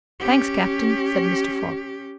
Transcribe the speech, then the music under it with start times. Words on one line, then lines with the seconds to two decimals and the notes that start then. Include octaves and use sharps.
"Thanks, captain," said Mr. Fogg.
0.20 C#4 G4